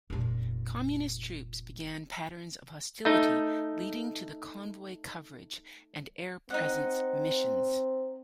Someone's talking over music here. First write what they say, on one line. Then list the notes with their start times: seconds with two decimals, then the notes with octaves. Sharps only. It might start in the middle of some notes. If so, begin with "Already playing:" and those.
Communist troops began patterns of hostility leading to convoy coverage and "air presence" missions.
0.10 F1 A#2
3.05 A3 D#4
6.50 C4 D#4 D#5 F#5